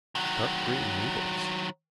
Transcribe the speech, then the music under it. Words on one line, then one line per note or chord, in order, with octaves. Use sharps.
Dark-green needles!
D#3 F#3